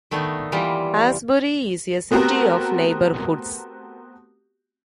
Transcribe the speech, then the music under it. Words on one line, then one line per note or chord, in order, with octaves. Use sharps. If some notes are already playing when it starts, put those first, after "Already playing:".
Asbury is a city of neighborhoods.
D#3 A3 B3 D4 D#4
E3 G3 A#3 B3 F4
A3 B3 C4 F#4 G4 A#4